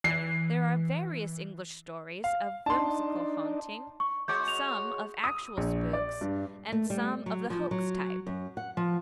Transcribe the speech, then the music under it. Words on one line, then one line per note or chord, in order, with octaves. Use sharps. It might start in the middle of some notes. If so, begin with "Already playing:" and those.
There are various English stories of whimsical haunting, some of actual spooks and some of the hoax type.
E3 C7
F5
D4 D#4 A5 C6
C#6
G#3 F#4 C#5 D6 G6
F7
D#6
A#1
D5
G2
A3
G3
F#3
F3
F#3
F#2
F#5
F3